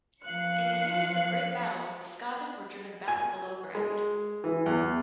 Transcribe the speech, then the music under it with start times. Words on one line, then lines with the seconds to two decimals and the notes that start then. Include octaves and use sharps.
In a series of great battles the Skaven were driven back below ground.
0.22 F3 F5 F#6 C#7
3.08 G#5
3.75 G#3
4.44 E3
4.66 E2